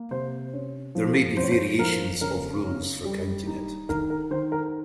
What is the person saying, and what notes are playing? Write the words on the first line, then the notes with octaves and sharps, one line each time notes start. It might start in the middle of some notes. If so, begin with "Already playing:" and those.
There may be variations of rules for counting it.
Already playing: A#3
C3 C5
C#4
F3
F3 C5
C#5
C5
F3 A#4
C#3 A#4
C#4
G3
D#4
D#3 A#4
A#4
D#3 C5
A#4